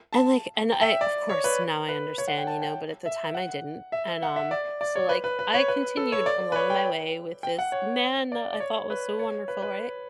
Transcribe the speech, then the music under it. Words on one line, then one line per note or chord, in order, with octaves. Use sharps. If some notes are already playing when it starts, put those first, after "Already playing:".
And, like and I, of course, now I understand, you know, but at the time I didn't, and, um, so, like, I continued along my way with this man I thought was so wonderful, right?
A5
G5
E5
D5
C#5
B4
B4
C#5
F#5
G5
A5
G5
E5
F#5
E5
F#5
E5
D5
D5
C#5
B4
B4
B4
C#5
B4
A4
C#5
D5
B4
C#5
G5
G5
F#5
C#5
D5
D5
C#5
B4
C#5
B4
B4